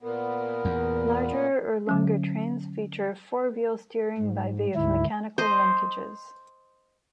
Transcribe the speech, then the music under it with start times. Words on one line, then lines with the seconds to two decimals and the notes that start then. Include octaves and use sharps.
Larger or longer trains feature four-wheel steering by way of mechanical linkages.
0.03 A#2 B3 A#4
0.65 E2
1.87 D3 F#3 C#4
4.18 G#2
4.75 D2 G#2 E4
5.38 C5 D#5